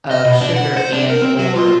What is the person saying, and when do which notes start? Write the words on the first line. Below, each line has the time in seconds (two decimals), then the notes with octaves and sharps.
of sugar and/or,
0.11 D#5
0.25 B2
0.41 D4
0.56 F#5
0.76 C5
0.93 D4
1.10 A#4
1.22 C4
1.39 F#3
1.56 F4